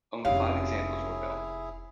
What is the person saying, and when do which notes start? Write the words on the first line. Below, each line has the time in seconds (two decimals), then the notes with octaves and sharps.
Only five examples were built.
0.25 F1 C#4 D#4 E4 G4 G#4 F5